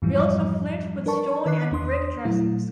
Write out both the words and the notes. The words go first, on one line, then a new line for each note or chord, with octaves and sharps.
Built of flint with stone and brick dressings.
F2 G#2 E3 F3 G3
D4 A#4 B4 D5 A5 C#6
D#3 B4 D#5 D6 F#6 C7
E2 D4 C6 D#6
A#2 F#3 A3 E4